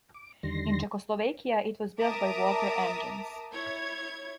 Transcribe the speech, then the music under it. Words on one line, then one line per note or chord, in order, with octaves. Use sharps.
In Czechoslovakia it was built by Walter Engines.
D6
E2 D3 D#3 G3 C6 A#6
A#4 E5 A5 A#5 D6 D#6
E4 C#5 G#6